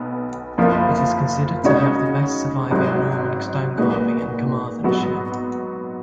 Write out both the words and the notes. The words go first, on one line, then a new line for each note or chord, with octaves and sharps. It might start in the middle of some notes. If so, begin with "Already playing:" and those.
It is considered to have the best surviving Norman stonecarving in Carmarthenshire.
Already playing: B1 B3
F#1 F2 F3 A#3 F4
C#3 G#3 D#4 F#4 C#5
G#1 G#2 F#3
A#2 G#3 D#4 F#4 B4
G#2 F#3 B3 F#4 B4